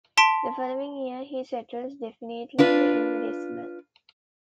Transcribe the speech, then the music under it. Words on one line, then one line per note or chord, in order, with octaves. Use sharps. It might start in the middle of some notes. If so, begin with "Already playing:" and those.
The following year he settles definitively in Lisbon.
A5 C6 B6 D7
D4 F4 B4